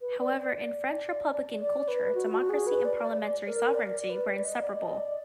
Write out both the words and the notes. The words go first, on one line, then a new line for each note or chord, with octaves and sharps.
However, in French Republican culture, democracy and parliamentary sovereignty were inseparable.
B4
D5
D5
D5
B4
F#4
F#4
G#4
B4
D5
D5
D5
A#4
D5
D5
B4
D5
D#5
D5
D#5
D5